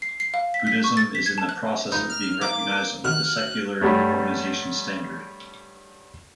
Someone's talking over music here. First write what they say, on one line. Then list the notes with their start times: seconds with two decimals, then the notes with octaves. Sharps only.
Buddhism is in the process of being recognized under the secular organization standard.
0.02 C7
0.20 C7
0.34 F5
0.54 B6
0.67 B6
0.84 C#6
0.97 A6
1.15 B6
1.26 G#6
1.38 A5
1.49 F#6
1.92 G#2 D#4 F4 B4
2.10 F6
2.41 A#3 D6
3.04 B2 D#3 F#4 F6 F#6
3.81 G2 F#3 G3 A3